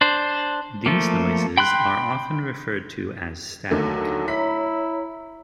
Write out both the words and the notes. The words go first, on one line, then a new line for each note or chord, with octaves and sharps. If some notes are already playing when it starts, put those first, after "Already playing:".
These noises are often referred to as static.
D4 C5
F3 A3 A#3
G5 B5 C6 F#6
D#2 D3 F#3 A3
E4 C#5 A#5 B5 B6